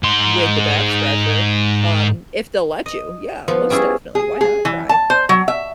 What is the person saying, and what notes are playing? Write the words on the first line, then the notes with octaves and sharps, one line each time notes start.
with the back scratcher, um, if they'll let you, yeah, most definitely. Why not try?
G#2 C6
D#5
F3 B3
G3 C#4 E4 G#4
G#4
G#4
E3
A5
C5
F#3
E5